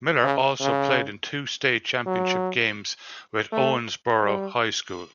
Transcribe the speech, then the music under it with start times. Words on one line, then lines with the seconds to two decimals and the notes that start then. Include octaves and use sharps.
Miller also played in two state championship games with Owensboro High School.
0.24 C#3
0.61 C#3
2.06 F#3
3.52 A3
4.24 G3